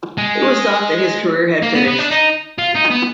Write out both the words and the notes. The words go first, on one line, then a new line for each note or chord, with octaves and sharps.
It was thought that his career had finished.
G#3
A#3
B3
B3
D4
D#4
F4
D#4
B3